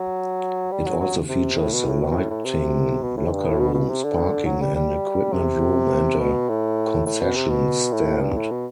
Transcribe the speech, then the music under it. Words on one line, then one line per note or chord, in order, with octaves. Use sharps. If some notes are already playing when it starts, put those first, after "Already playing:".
It also features lighting, locker rooms, parking, an equipment room and a concession stand.
Already playing: F#3
G3
F#3
F#3
C3
A2
B2
A2
B2
B2
A2
A2
C3
B2
A2
G2
A2
B2
B2
C3
D3
F#3
G3
G3
C3
B2
A2
A2
B2
C3
B2
A2
G2
A2
B2